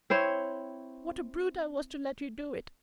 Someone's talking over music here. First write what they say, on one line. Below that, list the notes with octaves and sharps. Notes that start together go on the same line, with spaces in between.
What a brute I was to let you do it!
C4 E4 C5 C#5